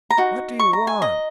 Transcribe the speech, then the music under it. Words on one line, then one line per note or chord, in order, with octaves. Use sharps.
"What do you want?"
A#5
D#4 F#4
C#6
A#5
G#5
D#5